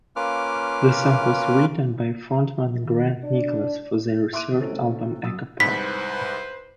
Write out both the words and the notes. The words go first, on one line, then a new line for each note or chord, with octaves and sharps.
The song was written by frontman Grant Nicholas for their third album "Echo Park".
A#3 C#4 F4 B4 D6 F6
D#3
D4 D5
E5 C6 D6 F#6 D7 D#7
A2 C3 A3 C#4 A4 C5
F#2 F#3 D#6 E6 A6
C2 G#2 B4 C5 B5 B6